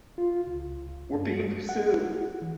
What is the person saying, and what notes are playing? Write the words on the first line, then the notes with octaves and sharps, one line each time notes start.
We're being pursued.
F4
C#2
G2
F#5
E3